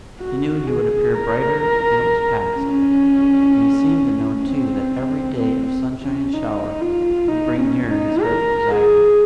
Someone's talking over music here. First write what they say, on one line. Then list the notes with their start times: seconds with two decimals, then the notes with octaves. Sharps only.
He knew he would appear brighter when it was past, and he seemed to know, too, that every day of sunshine and shower would bring nearer his heart's desire.
0.20 F#4
0.67 G#4
1.14 A#4
2.56 C#4
4.45 C4
5.39 C4
6.02 C#4
6.33 D#4
6.81 F4
7.28 D#4
7.60 C#4
7.91 D#4
8.22 A#4
8.70 G#4